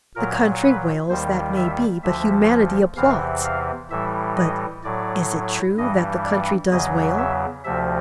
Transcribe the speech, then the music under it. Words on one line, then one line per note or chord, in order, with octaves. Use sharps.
The country wails, that may be, but humanity applauds. But is it true that the country does wail?
A#2 F#3 A#4
B4
D#2 D#3 G3 C5
E5
D2 D3 F3 E5
E2 C3 E3 F5
F5
A2 E3 G3 E5
D#5
A2 F#3 D5
G2 E3 G3 D#5
D5
E2 C#3 F#3 D#5
E5
D2 C3 F3 E5